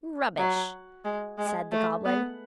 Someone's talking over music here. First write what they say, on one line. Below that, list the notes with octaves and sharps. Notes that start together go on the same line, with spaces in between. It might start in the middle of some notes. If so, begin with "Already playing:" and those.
"Rubbish!" said the Goblin.
F#3
G#3
G#3
A3
B3